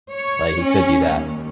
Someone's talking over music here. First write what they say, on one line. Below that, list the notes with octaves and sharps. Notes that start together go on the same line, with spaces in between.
like, he could do that.
C#5
C#4
D#2